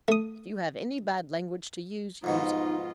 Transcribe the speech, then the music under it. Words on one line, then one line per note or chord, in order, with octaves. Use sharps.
'If you have any bad language to use, use it.
A3 D#6
F2 G#2 B2 D#4 F4 D#5